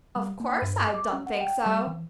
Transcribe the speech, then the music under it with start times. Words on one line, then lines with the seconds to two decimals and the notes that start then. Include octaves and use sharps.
'Of course I don't think so!
0.16 G3
0.40 A#3
0.62 G2
0.95 D6
1.13 C#4
1.27 F#5
1.41 G5
1.66 G3
1.87 E3